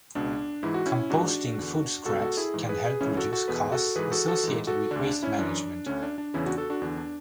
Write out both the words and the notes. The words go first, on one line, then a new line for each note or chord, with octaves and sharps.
Composting food scraps can help reduce costs associated with waste management.
C#2 B2 D4
G#2 E3 E4
F#4
C#4 E4
G#2 E3 D4 F#4
E2 D3
C#2 B2 F#4 A4
F#4 A4
E4 G#4
G#2 E3
G#4 B4
G#4 B4
C#2 C#3 E3 C#4 E4
F#4 A4
F#4 A4
E2 B2 G#4 B4
F#4 A4
G#2 E3 G#4 B4
F#4 A4
F#4 A4
G#2 E3
F#4 A4
D2 D3 D4
D4
C#4 E4
F#2 E3 D4
D2 D3 C#4
D4
D4
E2 C#3 E3 C#4 E4
D4 F#4
F#4 A4
D4 F#4
E2 D3 D4
D4